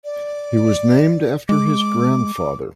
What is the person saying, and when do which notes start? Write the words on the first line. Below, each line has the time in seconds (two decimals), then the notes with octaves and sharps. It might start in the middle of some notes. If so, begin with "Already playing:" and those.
He was named after his grandfather.
0.04 D5
1.49 G#3 D6